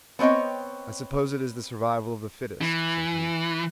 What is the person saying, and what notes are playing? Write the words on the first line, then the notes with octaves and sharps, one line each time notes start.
"I suppose it is the survival of the fittest," said he.
B3 C4 C#5 D#5 G5
E3